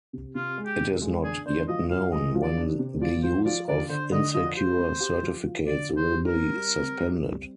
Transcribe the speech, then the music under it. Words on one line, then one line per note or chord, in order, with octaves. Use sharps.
It is not yet known when the use of insecure certificates will be suspended.
C3
C3 F4
G#3
G4
C3
G#3
D4 G#4
D4 C5
F3 D#5
F3 F5
G#3 D#5
F3
D5
D4
C3
F3 D5
F3 C5
F3 D5
D3 D5
D3 C5
D3 D#5
F3 D#5
G4 C5
C4
G4
F3
F3
D3 D5
G4
C5
G4
A#4
C4
G3
C4
C4
G3